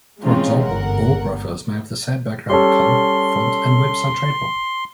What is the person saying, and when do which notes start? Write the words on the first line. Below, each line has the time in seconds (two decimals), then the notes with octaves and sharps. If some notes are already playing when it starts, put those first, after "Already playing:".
For example, all profiles may have the same background color, font and website trademark.
0.23 E3 G#3 C4 C#4 D#4 F4
0.63 G1 G#2 A#4 F#5
2.49 G3 C#4 A4 C6